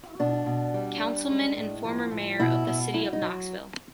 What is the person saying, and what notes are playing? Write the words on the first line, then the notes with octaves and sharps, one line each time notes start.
Councilman and former mayor of the city of Knoxville.
B2 D4
B2
G3
G3
G#3
A2
F3
A2
B2 E4
B2
F#3 E4
D#4
F#3